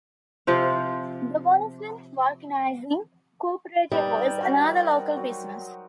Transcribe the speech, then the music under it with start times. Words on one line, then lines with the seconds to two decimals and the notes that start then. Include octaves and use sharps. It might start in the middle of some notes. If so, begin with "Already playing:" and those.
The Wollaston Vulcanising Co-Operative was another local business.
0.47 C3 F3 C5 F5
3.92 G3 D#4 B4
4.41 F#4 A#4 C5
5.17 F#3